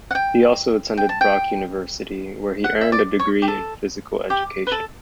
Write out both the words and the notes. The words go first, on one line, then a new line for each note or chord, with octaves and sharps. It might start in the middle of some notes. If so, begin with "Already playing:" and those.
He also attended Brock University, where he earned a degree in physical education.
F#5
G5
G5
A5
G5
F#5
E5
D5
C#5
G4
A4
G4
B4
A4